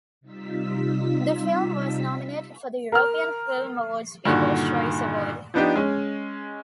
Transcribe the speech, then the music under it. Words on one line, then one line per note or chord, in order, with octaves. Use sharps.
The film was nominated for the European Film Awards People's Choice Award.
C3 G3 D#4 F4 E6 B6
A#4 F6
G2 A#2 D3 D#3 F#4
F3 B3 D4 D#4 G4
G#3 C#4